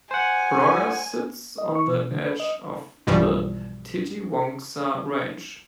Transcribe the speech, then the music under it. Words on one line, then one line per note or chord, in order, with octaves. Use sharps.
Broga sits on the edge of the Titiwangsa Range.
C5 F#5 G#5
D#5
C#6
B2
D3
B4
D#5
B1 G2 B2 E3 F3 G3